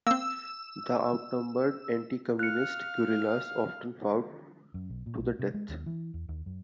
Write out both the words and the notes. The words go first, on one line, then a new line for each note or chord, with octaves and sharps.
The outnumbered anticommunist guerrillas often fought to the death.
A#3 C4 E6
F5 F#6 C#7
F#2
B1
A#2
B1
C3
G#3
D#2
E3
E2
D#2
F#2